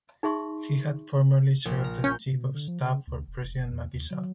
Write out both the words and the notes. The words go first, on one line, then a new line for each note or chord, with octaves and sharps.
He had formerly served as Chief of Staff for President Macky Sall.
D#4 G#4 E5 C6 C#6
A#1
A#5 F6
C#4 G6
B2
D3
F3
C#3
D2
E1
F1
E2
D#2
F#3